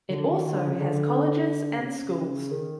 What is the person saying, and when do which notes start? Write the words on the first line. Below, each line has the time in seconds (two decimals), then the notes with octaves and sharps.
It also has colleges and schools.
0.10 D3
0.25 D#3
0.39 D#3
0.53 D3
0.67 C#3
0.80 D3
1.78 C3
1.86 C#3
2.30 C#3
2.51 D#3